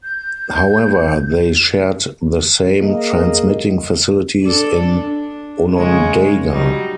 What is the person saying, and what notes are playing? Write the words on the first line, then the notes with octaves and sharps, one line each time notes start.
However, they shared the same transmitting facilities in Onondaga.
G6
A#3 G#4 D#5
D4 A4 D5
D4
C#3 G#3 C#5
F#3 G3 D#4